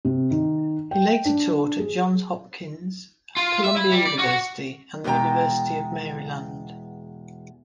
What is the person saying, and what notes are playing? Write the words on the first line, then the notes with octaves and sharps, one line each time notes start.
He later taught at Johns Hopkins, Columbia University, and the University of Maryland.
C3
D#3
G5
D4
G#4
F4
E5
E4
G3
D5
F#4
E2 B2 G#3 G5 A#5